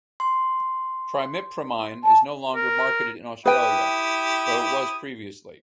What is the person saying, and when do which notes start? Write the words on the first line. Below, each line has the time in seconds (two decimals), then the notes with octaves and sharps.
Trimipramine is no longer marketed in Australia, though it was previously.
0.20 C6
2.04 A5
2.56 A#4
3.45 E4 G4 B4 G5 D#6